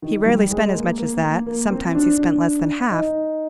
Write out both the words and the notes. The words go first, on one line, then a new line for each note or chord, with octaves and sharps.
He rarely, spent as much as that; sometimes he spent less than half.
D#3
G3
G#3
A#3
A#3
A#3
A#3
C4
D4
D4
D#4